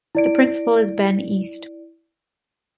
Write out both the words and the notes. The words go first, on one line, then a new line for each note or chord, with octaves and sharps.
The principal is Ben East.
E4 D5 D7